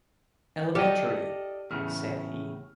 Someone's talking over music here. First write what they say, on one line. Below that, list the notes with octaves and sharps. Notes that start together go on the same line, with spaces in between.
'Elementary,' said he.
G4 A4 D5 D#5 D6 F6
E2 A2 C#3 F6